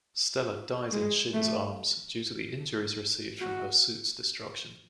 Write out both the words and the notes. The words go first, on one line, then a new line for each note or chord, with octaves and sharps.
Stella dies in Shinn's arms due to the injuries received from her suit's destruction.
G#3
A3
F#4